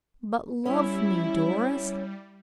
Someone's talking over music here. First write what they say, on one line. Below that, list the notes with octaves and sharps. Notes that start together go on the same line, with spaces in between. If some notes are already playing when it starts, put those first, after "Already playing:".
But love me, Doris.
G3 C#4 E4 C#5